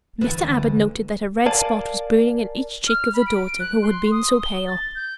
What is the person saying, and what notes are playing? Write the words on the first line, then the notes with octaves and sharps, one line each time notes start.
Mr. Abbott noted that a red spot was burning in each cheek of the daughter who had been so pale.
E2 D3 B4
D2
A#4 D5 F5 G#5 A5
F6
B5
D7
F#6
C6
D#6
G7
A6
G6